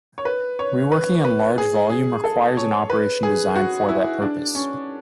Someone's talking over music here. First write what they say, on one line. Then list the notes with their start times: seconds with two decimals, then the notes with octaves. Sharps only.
Reworking in large volume requires an operation designed for that purpose.
0.18 C#5
0.25 B4
0.59 C#5
0.92 B4
1.25 B4
1.58 G#4
1.90 G#4
2.24 A4
2.57 C#5
2.90 B4
3.23 G#4
3.56 F#4
3.89 E4
4.22 D4
4.55 C#4